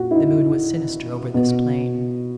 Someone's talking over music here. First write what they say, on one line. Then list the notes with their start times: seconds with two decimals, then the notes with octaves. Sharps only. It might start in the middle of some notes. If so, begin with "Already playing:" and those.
The moon was sinister over this plain.
Already playing: A#2 F#4
0.11 E4
0.15 D#4
1.34 B2